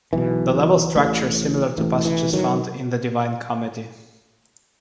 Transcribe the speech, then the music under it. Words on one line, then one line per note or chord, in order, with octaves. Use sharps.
The level structure is similar to passages found in the Divine Comedy.
B1 B2 E3
A1 A2
A1 A2 E3
E3
D#3 F#3